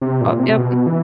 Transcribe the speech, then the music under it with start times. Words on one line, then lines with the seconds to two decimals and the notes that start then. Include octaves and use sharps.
But, yep.
0.02 C3
0.21 A#2
0.39 C3
0.58 B2
0.87 E3